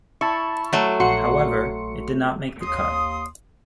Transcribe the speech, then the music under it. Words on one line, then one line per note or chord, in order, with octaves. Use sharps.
However, it did not make the cut.
E4 A5 C#6
F#3 A3
A#1 F#4 C6 C#7
D#2 C6 D#6